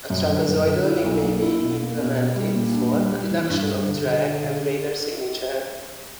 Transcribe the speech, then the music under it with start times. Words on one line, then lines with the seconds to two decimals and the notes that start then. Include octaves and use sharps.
A trapezoidal wing may be implemented for reduction of drag and radar signature.
0.10 F#2
0.29 D3
0.48 F#2
0.67 D3
0.85 E4
1.04 B1
1.23 A#3
1.42 E4
1.60 B2
1.80 A#3
1.99 B2
2.17 B2
2.36 G3
2.55 A#2
2.74 D4
2.93 G3
3.12 G3
3.31 E3
3.50 G2
3.69 G2
3.87 D3
4.06 D3
4.25 D3
4.44 D3